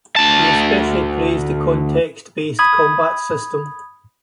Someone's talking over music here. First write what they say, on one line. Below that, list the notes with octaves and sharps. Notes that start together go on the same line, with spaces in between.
He especially praised the context-based combat system.
D2 A5
B5 D#6 G#6